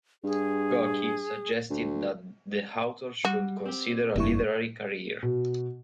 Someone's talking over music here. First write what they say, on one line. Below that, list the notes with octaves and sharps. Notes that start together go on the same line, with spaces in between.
Gorky suggested that the author should consider a literary career.
G2 G#4
D2
G3 F#4
C4 G4
F1 G2 A#3 E4 C#6
B2